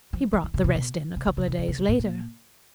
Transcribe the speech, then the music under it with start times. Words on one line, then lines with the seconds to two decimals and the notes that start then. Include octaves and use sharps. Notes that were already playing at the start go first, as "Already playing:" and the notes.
He brought the rest in a couple of days later.
0.13 F3
0.33 E3
0.44 D#3
0.54 C#3
0.64 C3
0.75 B2
1.16 C3
1.27 D3
1.37 C#3
1.48 C3
1.58 C#3
1.68 C3
1.78 C#3
1.89 A2
1.99 A#2